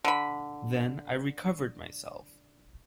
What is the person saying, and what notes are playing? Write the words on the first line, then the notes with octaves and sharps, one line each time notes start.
Then I recovered myself.
D3 B5